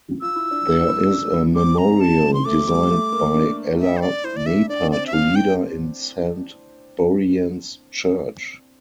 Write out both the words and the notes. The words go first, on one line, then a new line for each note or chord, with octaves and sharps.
There is a memorial, designed by Ella Naper to Leader in Saint Buryan's Church.
F4 E6
E4
D4
D4
E4
D4
E4
C4 D6
A#5
A5
C6
A3 D6
G3
A3
A#3
D4
E5
C5
D5
E4 C5
D5
D4 E5
D4 D5
C4 D5
E5
D4 F5
G5